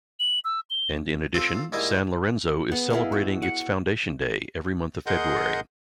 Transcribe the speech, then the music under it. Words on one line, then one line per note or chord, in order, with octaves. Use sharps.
And in addition, San Lorenzo is celebrating its Foundation Day every month of February.
F#7
E6
G7
C4 F4 A4 F5
G#2 G3 A#3 E4 D#5
B3 G#4
E4 G#4 D#5 F5
F#4
F#5
G#4 A#4 D#5 F#5 C6 G6